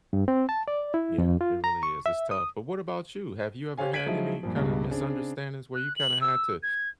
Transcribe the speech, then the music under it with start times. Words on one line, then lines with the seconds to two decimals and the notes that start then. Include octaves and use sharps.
Yeah, it really is. It's tough. But what about you? Have you ever had any kind of misunderstandings where you kinda had to
0.13 G2
0.28 C4
0.49 A5
0.68 D5
0.94 E4
1.18 F2
1.41 F4
1.64 A#5
1.83 C#6
2.06 E5
2.31 D#6
3.78 G4 C5 C#5 F5 G#5
3.93 G#6 B6 D7 D#7 F#7
4.06 F3 F#3 G#3 D#4 E4
4.43 G2 A#2 F3
4.56 C#2 G2 B2 G3 G#3
4.91 C#3 C4 D4
5.75 F#6
5.96 F#7
6.21 E6
6.63 G#6